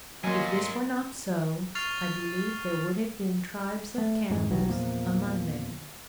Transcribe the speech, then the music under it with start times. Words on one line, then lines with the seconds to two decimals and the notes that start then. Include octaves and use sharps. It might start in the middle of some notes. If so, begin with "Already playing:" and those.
If this were not so, I believe there would have been tribes of cannibals among them.
0.24 F#3 A#3 A#4 D#5 G#5 C6
1.75 C#6 F6 A6 C7 F7
3.98 A3
4.30 F2 G#2 G#3
4.50 E1 B1 F#3 G3
4.69 E2 A#2 F3 A#3